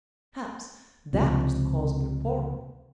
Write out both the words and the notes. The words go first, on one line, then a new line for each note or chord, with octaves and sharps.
Perhaps that was the cause of their quarrel.
C#2 C3 F3